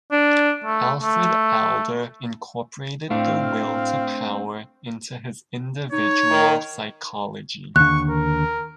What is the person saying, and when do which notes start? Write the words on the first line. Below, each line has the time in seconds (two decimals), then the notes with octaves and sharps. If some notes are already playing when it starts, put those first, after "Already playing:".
Alfred Adler incorporated the will to power into his individual psychology.
0.12 D4
0.64 A3
1.03 A3
3.10 A2 A3 C4 D4 F5
5.92 D#4 C#5
6.31 D#3
7.76 D#2 D3 C#6 F#6
8.10 A#4